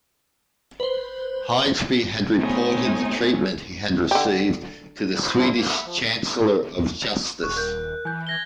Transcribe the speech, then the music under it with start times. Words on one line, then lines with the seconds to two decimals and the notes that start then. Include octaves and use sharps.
Haijby had reported the treatment he had received to the Swedish Chancellor of Justice.
0.80 B4 C5
2.38 A3 B3 C4 D#4 C#5 G#5
4.11 D3 G4
5.23 C5 B5 C6
5.37 F#2 F3 G3 C4 D4 E4
5.56 G#2 A#3
5.70 E5 F#5 B5 F#6
5.85 F3
7.43 D#1 C#6 F#6
7.56 A#4 G6
8.05 E3 G#5 G6
8.27 G#6 A#6 G7